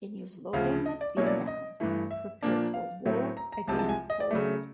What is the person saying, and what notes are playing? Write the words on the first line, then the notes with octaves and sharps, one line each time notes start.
A new slogan must be announced: Prepare for war against Poland.
D2 C#3 F3 F5
D#5
D5
B2 F#3 A#3 C#4 E4 C#5
D5
D#5
G2 E3 A3
E5
A#2 F3 A#3 D4
F5
A2 F#3 A3 C4
A#5
A#5
C2 C3 F3 G#3 A5
A5
G#5
D#5
D5
C#3 F#3 A3